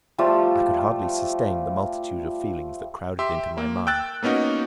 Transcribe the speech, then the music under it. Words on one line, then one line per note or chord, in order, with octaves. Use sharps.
I could hardly sustain the multitude of feelings that crowded into my mind.
F3 G3 A3 F4
G4 E5 C6
A#3
G5 E6 F#6 A6
A#3 B3 C#4 D#4 F#4